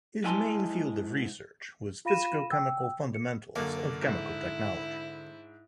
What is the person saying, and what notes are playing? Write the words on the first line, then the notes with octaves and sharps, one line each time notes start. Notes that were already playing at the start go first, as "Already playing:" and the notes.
His main field of research was physicochemical fundamentals of chemical technology.
G#2 G#3 E4 G#5 A5 C6
F4 F5 B5 A#6 D#7 E7
G5 E6
C#7
F#2 D3 A#3
G#2 E4